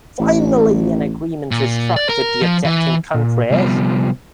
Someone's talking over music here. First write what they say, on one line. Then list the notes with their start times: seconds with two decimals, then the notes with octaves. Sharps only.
Finally an agreement was struck with the objecting countries.
0.20 A1
1.51 A#2
1.96 D5
2.09 A#4
2.41 F3
2.64 E3
3.14 A#2
3.50 C3 F3 G3 B3 C4